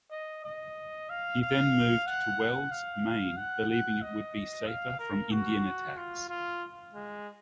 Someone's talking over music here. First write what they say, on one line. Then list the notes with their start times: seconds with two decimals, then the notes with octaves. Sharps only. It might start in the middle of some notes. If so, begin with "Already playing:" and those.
He then moved to Wells, Maine, believing it would be safer from Indian attacks.
0.11 D#5
0.44 D#5
1.10 F5
1.42 F5
2.07 F#5
2.71 F5
3.37 F#5
3.69 F#5
4.02 D#5
4.67 F5
5.00 A#4
5.32 F#4
5.97 F4
6.29 F4
6.94 G#3